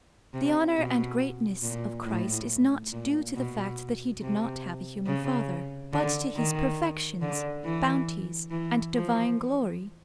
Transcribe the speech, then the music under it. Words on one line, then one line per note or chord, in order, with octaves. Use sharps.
The honor and greatness of Christ is not due to the fact that He did not have a human father, but to His perfections, bounties and divine glory.
C3
B2
A#2
A2
A#2
B2
C3
C#3
D3
D#3
D3
E3
E3
F3